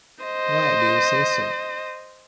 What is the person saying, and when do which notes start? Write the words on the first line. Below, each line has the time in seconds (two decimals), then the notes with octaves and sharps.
Why do you say so?
0.24 C5 D#5